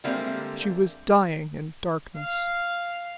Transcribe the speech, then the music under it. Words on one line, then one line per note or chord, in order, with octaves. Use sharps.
She was dying in darkness.
D3 G3 G#3 A#3 C4 E5
F5